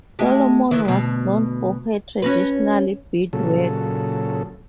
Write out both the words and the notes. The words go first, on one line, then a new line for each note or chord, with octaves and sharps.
Solomon was known for her traditional beadwork.
G#3 A3 G4
D#3 E3
D2 B2
C#4 F#4 B4
A#2 C#3 F#3 A4